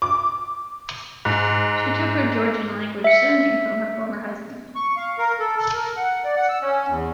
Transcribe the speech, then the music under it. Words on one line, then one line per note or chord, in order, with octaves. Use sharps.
She took her Georgian-language surname from her former husband.
D6
G#2
E5 C#7
C#6
F5
A#4
A4
A4
A#4
F#5
D5
F#5
E6
C#4
E2